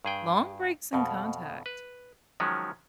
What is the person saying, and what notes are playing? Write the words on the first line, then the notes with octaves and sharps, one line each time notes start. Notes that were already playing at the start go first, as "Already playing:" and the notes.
long breaks in contact?
G2 G#4 G5
F2 B2
B4
D#3 F3 F#3 G#3 C#4